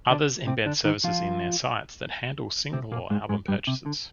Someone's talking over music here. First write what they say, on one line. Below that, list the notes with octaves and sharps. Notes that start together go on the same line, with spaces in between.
Others embed services in their sites that handle single or album purchases.
D3 D4
C3 C4
D3 D4
D#3 D#4
F3 F4
C3 C4
A#2 A#3
G#2 G#3
G#2 G#3
G2 G3
C3
D3